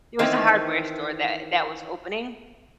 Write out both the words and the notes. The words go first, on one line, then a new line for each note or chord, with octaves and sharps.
It was a hardware store that that was opening.
D#3 E3 C4